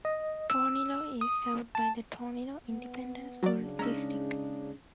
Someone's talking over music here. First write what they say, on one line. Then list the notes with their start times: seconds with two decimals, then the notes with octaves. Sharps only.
Tornillo is served by the Tornillo Independent School District.
0.05 D#5
0.50 E6
1.21 D#6
1.75 A5
2.65 B3
3.43 F#3 D5
3.57 C#3 D4
3.79 G#3 C#4 D#4 A#5 E6